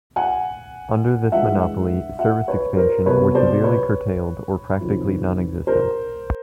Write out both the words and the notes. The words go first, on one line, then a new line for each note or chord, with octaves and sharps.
Under this monopoly, service expansion were severely curtailed or practically nonexistent.
F#5 G#5
G2 E3 G#3 E5 F#5
E5 F#5
B4 C#5
A#4 C5
C2 B2 F#3 B4 C#5
C5 D5
B4 C#5
F2 C3 D#3 F#3
A#4 C5